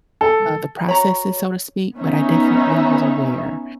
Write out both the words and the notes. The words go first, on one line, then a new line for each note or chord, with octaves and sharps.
uh, the processes, so to speak, but I definitely was aware,
A4
F#4 C#5 A#5 B5
B3 C#4 D#4 E5